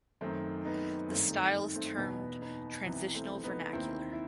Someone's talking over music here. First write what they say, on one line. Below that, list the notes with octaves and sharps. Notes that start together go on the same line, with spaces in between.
The style is termed "transitional vernacular".
F#2 D#3 A3 C4
B3 D#4
G2 D#3 A3 C4
A3
A3 C4
E2 B2 B3 D#4
B3 D#4
C2 C3 E3 B3
A3 C4
B3 D#4
D#2 D#3 C4 E4
E4